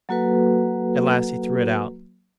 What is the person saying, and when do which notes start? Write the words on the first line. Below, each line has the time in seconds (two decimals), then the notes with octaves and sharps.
At last he threw it out.
0.09 F#3 A#3 F#4 A4 B4